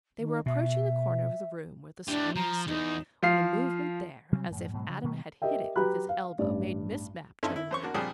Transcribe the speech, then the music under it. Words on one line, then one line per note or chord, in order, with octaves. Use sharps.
They were approaching the corner of the room where the screen stood, when a movement there as if Adam had hit it with his elbow made Miss Mapp turn round.
D#3
B2 E5
E3 D4 G4
F3 A#5
E2 D#4
F3 F5 C7
C3 F#3 G3 C4
F#2 A2 F3
G#2 B2 F#3 G#3
C#3 F3 F#3
B2 D#3 G3 B3
G4 A#4 D#5 E5 G5
F#3 G4 B4 A#5 B5 F#6
F5
A1 G2 D5
G2 C#4 D#4 E4 A4 C6
E4
F#2 C5 C#6
A#3 D4 F#4
A#1 F3 G3 G#4 D5 D#6